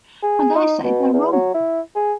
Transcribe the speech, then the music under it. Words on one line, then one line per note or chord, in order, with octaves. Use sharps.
And I say they're wrong.
G#4
D#4
B2
E2
F#3
E4
G#4